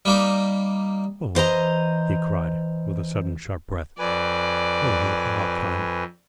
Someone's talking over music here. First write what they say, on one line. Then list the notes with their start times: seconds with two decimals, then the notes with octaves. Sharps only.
Oh," he cried, with a sudden sharp breath, "oh, you ARE kind.
0.05 G3 A#3 D#4
1.35 E3 C5 D#5 A#5
3.99 F2 B4 D5 G#5